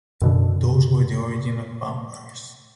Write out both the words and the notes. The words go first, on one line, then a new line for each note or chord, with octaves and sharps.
Those were the origin of vampires.
F#2 B2 D3